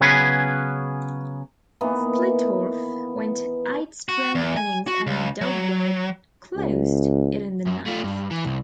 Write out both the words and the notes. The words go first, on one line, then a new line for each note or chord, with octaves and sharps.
Splittorff went eight strong innings and Doug Bird closed it in the ninth.
C#3 F#3 B3 C#4 G#4 B4
D#3 E3 A#3 B3
F#4
E2
G#5
F#4
C#2
F#3
C#2
F#2
A3 F4
G2
E3
C2